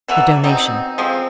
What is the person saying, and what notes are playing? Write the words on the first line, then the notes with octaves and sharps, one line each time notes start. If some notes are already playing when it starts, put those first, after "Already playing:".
The Donation.
E3 F#3 D4 E5
B2 C4 D#4
F3 G#3 C4